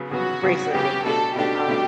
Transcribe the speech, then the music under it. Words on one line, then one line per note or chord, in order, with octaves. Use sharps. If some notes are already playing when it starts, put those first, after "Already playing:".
bracelet making. Um,
Already playing: C#3 F#3 B3
C#3 F#3 B3 F#4
C#3 F#3 B3
C#3 F#3 B3 G4
B2 A3 D4 A4
B2 A3 D4 G4
B2 A3 D4